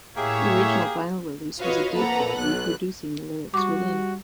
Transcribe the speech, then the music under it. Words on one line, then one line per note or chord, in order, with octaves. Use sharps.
The original vinyl release was a gatefold, reproducing the lyrics within.
A2 A#3 G4 G#4 C#5 E5
F4 F#4 B4 C#5 D#5 F5
F2 A#3 A4 B4 F#5 A#5
B1 B3 F#6
G3 F#4 C#6 D6